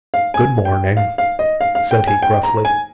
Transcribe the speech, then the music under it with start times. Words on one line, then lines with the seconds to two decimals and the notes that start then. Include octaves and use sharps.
"Good morning," said he gruffly.
0.14 F5
0.34 G#5
0.65 G5
0.97 F5
1.18 F5
1.39 D#5
1.61 F5
1.75 F5
1.91 G5
2.07 G#5
2.23 G5
2.43 A#5
2.65 G#5